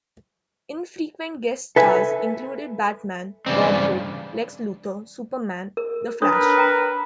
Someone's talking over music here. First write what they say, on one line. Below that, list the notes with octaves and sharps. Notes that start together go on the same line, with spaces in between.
Infrequent guest stars included Batman, Bob Hope, Lex Luthor, Superman, the Flash.
A4 B4 E5 G#5
G2 C#3 E3 C4 D5
A#4
D4 A#4 B4 C#5 D#6
G5 A#5